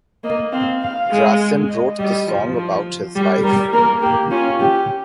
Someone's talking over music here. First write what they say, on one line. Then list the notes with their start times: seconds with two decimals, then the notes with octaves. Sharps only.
Gracin wrote the song about his wife.
0.24 A#3 D#5
0.52 C4 F5
0.82 F5
1.11 G#3
1.69 D#5
1.99 G3 D#5
2.27 F3
2.56 F3
3.15 G3
3.43 G3 A#4
3.72 A#3 A#4
4.02 A#3 G4
4.31 C#4 F4
4.60 G4